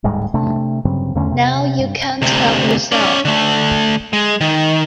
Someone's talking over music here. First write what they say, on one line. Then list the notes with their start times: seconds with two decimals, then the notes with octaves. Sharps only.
Now you can't help yourself.
0.04 D1 G#2 G3 G#3
0.34 C3 A3 D4
0.85 G2 C#3 F#3 C4
1.15 E2 D3 A3 C#4
1.31 C3
1.79 G2
2.22 D2 C3
2.92 C#4 D5
3.25 D3 A3
4.13 G#3
4.41 D#3